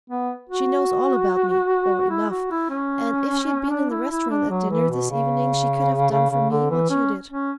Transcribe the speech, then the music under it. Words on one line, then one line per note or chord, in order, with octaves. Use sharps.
She knows all about me--or enough--and if she'd been in the restaurant at dinner this evening she could have done for me what you did.
B3
F#4
E4
F#4
E4
C#4
D4
E4
E4
D4
F#3
E3
B2
C#3
C#3
C#3
D3
E3
C#4
C#4